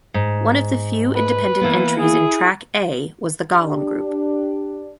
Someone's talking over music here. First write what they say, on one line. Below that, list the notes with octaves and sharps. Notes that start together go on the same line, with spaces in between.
One of the few independent entries in Track A was the Golem Group.
G#2
B4
E3 A#3 B3
E4 G#4
D4 G4